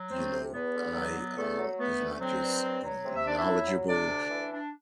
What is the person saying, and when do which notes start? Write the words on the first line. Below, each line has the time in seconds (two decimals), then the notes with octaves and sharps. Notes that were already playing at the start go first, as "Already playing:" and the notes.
you know, I, um, was not just, you know, knowledgeable,
Already playing: F#3
0.11 A3 C4 C5
0.32 C3
0.53 E2 B3 B4
0.75 D3
0.95 F#3
1.16 B3
1.36 E2 A3 A4
1.58 F#3
1.78 A3 B3 B4
1.99 D2
2.20 F#3 C4 C5
2.42 G2
2.63 F#3
2.83 F#3
3.04 C3
3.15 E5
3.25 D4 D5
3.38 E4 E5
3.46 F#3
3.67 F#3
3.88 C3 D4 D5
4.09 D2
4.30 E3
4.51 D4